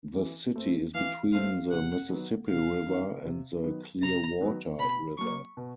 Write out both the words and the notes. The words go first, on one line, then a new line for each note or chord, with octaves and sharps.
The city is between the Mississippi River and the Clearwater River.
E3
A3 C4
E3 F5
A3 C4 F5
C3 F#5
D#3 F#3 B3
C3 F5
D#3 F#3 B3
C3
D#3 F#3 B3
C3 A#5
D#3 F#3 B3
B2 B5
F#3 A#3 C#6
B2